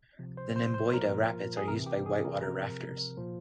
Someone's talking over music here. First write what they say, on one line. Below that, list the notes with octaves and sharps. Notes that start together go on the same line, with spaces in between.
The Nymboida rapids are used by white water rafters.
C3 F3
C5
C5
C5
A#2 F3 A#4
G#4
C3 E3 A#4
G4
G#4
A#4
C3 F3 A#4
A#2 F3